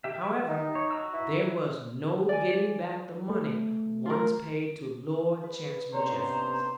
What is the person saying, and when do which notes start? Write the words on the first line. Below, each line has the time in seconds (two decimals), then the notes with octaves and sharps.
However, there was no getting back the money once paid to Lord Chancellor Jeffreys.
0.04 G4 E5
0.49 D#4
0.75 C#5
0.91 F#4 A#5 E6
1.13 E4
2.29 D5 G#5
3.30 A3
4.06 F4 A#4
5.44 B4
5.94 C3 B3 C#4 D4 A4 C5 A#5